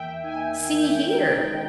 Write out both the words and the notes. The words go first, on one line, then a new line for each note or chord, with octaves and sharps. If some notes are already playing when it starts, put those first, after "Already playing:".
See here.
Already playing: E2 A#3 E5 G5
D#4 G#5
D#3
G#3 G5
D#4